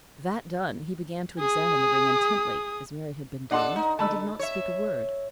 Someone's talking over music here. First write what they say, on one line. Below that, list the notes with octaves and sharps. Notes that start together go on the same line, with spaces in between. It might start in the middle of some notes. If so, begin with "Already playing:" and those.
That done, he began to examine the ring intently, as Mary had been doing, and did not speak a word.
G#4 D#6
D4 A4 D#5 F#5 C6
D#4
D3 A5 B5 E6
C#5 E5